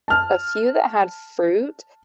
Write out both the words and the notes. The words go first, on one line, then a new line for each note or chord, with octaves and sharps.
a few that had fruit
A5 F6